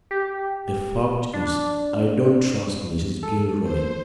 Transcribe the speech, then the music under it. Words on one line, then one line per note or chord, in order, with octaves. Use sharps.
The fact is, I don't trust Mrs. Gilroy.
G4
D4
A4
C5